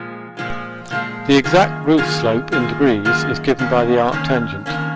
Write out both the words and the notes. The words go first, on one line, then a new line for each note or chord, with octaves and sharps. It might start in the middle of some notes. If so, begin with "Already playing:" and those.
The exact roof slope in degrees is given by the arctangent.
Already playing: A#2 F3 G#3
A#2 F3 G#3
A#2 F3 G#3
F#2 D#3 A#3 F4 G#4
F#2 D#3 A#3 F4 G#4
F#2 D#3 A#3 F4 G#4
F#2 D#3 A#3 F4 G#4
F2 D#3 A#3 C#4
F2 D#3 A#3 C#4
F2 D#3 A#3 C#4